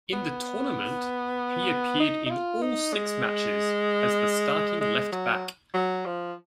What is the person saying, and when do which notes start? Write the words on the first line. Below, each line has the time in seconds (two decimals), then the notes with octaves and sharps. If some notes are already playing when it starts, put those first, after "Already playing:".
In the tournament, he appeared in all six matches as the starting left-back.
0.13 B3
2.00 D#4
2.26 D#4
2.30 F4
2.62 D#4
2.93 G#3
4.81 G#3
5.12 F#3
5.74 F#3
6.06 F3